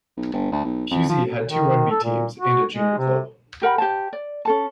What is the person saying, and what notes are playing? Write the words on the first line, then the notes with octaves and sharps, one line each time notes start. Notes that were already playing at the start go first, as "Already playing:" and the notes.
Pewsey has two rugby teams and a junior club.
B1
G1
D2
B1
F2
F3
D#3
A4
A#2
F#4
G#3
C3
G4 A#4 F#5 B5
G4 C5 A5
D5
C#4 A4 A5